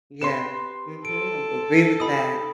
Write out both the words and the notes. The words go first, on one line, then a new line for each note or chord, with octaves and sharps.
Yeah. Mhm, I would agree with that.
C4 G4 B4 C6 E7
A4 D7
D#4 G4 B5 D#6